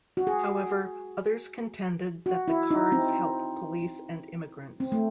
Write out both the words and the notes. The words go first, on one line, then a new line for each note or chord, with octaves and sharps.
However, others contended that the cards help police and immigrants.
F#4
G#4
F#4
E4
D#4
C4
C4
A3